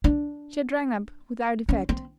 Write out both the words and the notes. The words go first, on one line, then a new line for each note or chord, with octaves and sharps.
She had rung up without effect.
D4
C#4
C4